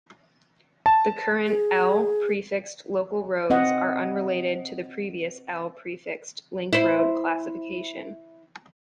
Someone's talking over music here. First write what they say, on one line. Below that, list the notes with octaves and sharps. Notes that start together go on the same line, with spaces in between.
The current "L"-prefixed local roads are unrelated to the previous "L"-prefixed link road classification.
A5
G#4
C4 D#5 F#5
E4 C5